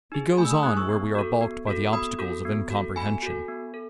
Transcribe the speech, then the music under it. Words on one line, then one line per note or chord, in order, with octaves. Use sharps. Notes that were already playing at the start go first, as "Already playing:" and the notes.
He goes on where we are balked by the obstacles of incomprehension.
D#4 G#4
A3 G#5 B5
E6
B5 D#6
D#4 G#4 D#6 F#6
C#6 E6
B3
F#4 A4
B3
F#4 A4
B3 B5 D#6
F#4 A4
B3
F#4 A4
B3 G#5 B5
F#4 A4
B3
A4